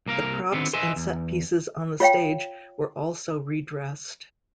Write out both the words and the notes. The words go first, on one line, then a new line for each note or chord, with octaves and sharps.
The props and set pieces on the stage were also redressed.
C2 A#3 A#4 F5
D3 D#3 B3 C4
B4 D#5 E5 G#5 C6
E2
F4 C#5 F5 G5